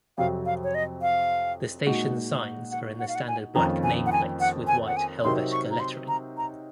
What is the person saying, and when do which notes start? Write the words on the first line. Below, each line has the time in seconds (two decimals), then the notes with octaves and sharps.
The station's signs are in the standard black name plates with white Helvetica lettering.
0.18 F2 C3 F#3 C4 F5
0.46 F5
0.64 C#5
0.75 D#5
1.02 F5
1.87 A#2 G#3 D#4 F#4
2.71 F#5
2.99 F#5
3.08 F5
3.15 F#5
3.28 G#5
3.55 F2 D#3 A#3 C#4 F4 A#5
3.83 G#5
4.06 F#5
4.12 G#5
4.40 F#5
4.67 G#5
4.87 F#5
4.97 G#5
5.24 C3 F#3 C4 D#4 A#4 C6
5.52 C#6
5.71 A#5
5.80 C6
6.08 A#5
6.37 A#5